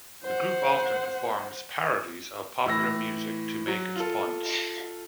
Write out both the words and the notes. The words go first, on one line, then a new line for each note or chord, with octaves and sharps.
The group often performs parodies of popular music to make its point.
C5 F#5
A2 E3 E6 A#6
F#3
F4 A4